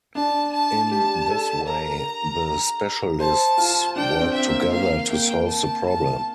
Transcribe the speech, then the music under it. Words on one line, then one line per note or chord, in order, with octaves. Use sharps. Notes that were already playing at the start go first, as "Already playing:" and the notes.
In this way, the specialists work together to solve the problem.
D4 A5
A5
G4 A5
A4
A#4 A#5
C5 A5
F4
D4 G5
C4
E5
A#3
A#3 F5
A#3 G5
A5
A5